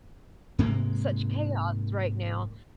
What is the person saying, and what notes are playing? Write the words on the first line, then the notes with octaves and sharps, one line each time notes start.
such chaos right now.
G#2 C3 G#3 A#3